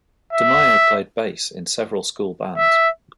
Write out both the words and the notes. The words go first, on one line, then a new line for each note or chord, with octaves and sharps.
DeMaio played bass in several school bands.
E5
E5